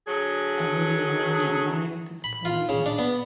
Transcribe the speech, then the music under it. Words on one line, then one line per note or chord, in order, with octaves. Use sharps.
a really a worry of mine at this point."
D3 F#3 G#4
B5
F4
C#3
D4
B3